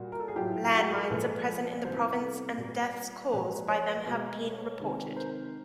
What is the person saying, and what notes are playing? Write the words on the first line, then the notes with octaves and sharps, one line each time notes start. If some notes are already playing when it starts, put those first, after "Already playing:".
Landmines are present in the province and deaths caused by them have been reported.
Already playing: A#2 G3 F#4
A#4
A4
G#4
A2 F#3 F4 G4
G4
F#4 G#4
G#4 A#4
A#2 F3 G#3 A4 B4
C3 E3 G3 C5
B4
A#4
A4 B4
A#2 G3
A#2 F3 G#3 B4 C#5
B4 C#5
B2 G#3
C3 D#3 G#3
A#4 C5